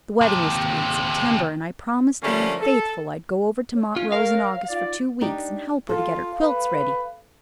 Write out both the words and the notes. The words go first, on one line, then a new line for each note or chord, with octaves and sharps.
The wedding was to be in September, and I promised Anne faithful I'd go over to Montrose in August for two weeks and help her to get her quilts ready.
D#2 C3
D3 F3 G3 A3 A#3 C#4
A4
C#5
C#4 F4
A#4 F5
D#4 F4 D5
D4 D#4 G4
F4 A4 F5
B4